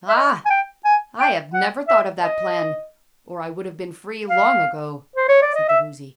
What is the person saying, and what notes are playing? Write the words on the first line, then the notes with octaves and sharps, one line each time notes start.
"Ah, I have never thought of that plan, or I would have been free long ago," said the Woozy.
E5
D#5
G#5
G5
G#5
G5
F#5
E5
D#5
F5
C5
C#5
D5
D#5
E5